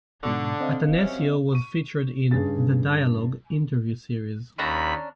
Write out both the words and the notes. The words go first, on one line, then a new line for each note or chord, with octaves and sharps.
Attanasio was featured in "The Dialogue" interview series.
G#2 B2 D3 C#6
C4 D#5 F5
F#2 C3 C#4
C#6 D#7
G2 C#3 G#4 A6
D#2 C#4 D4 A#5 B5